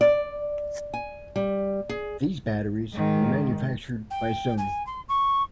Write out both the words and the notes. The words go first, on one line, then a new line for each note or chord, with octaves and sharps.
These batteries were manufactured by Sony.
D5
G#5
G3
G#4
G#2 D#3
G5
G#5
C6
C#6